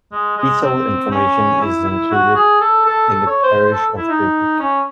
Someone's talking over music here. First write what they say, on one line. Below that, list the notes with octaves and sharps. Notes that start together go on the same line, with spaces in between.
Detailed information is included in the parish of Bewick.
G#3
G#3
C4
C#4
E4
E4
F#4
G#4
A4
A4
A4
C#5
C5
C5
A4
E4
D#4
C#4